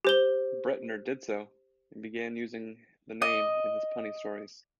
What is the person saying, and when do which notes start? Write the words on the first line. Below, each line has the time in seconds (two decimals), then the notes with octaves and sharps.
Bretnor did so, and began using the name in his punny stories.
0.05 G4 C5 G7
3.22 D#5